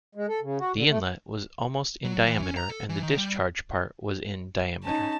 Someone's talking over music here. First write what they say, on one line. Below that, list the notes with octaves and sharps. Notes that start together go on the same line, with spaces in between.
The inlet was almost in diameter and the discharge part was in diameter.
G#3
A4
C#3
F#4
D3
A3
F#3
E3
C#4
A#5
A4
E3
D#3
G3
C#4 D#4 A5